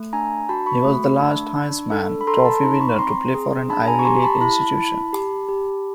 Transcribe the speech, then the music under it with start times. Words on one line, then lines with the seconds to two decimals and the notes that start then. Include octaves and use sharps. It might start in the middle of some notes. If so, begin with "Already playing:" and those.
He was the last Heisman Trophy winner to play for an Ivy League institution.
Already playing: A3
0.13 D4 G#5 A#5
0.49 F#4 A5 B5
0.66 B5 C#6
0.85 A3
1.20 D4
1.56 D4
1.92 A4
2.21 B5
2.27 A4 A#5 C6
2.39 C6
2.45 A5 B5
2.63 D#4 A#5 C6
2.81 B5 C#6
2.98 C4 A#5 C6
3.34 G#4
3.70 D4 A5 B5
3.88 G#5 A#5
3.99 C#6
4.05 G4 A#5 C6
4.23 A5 B5
4.41 E4 A5 B5
4.76 E4
5.13 G4
5.49 G4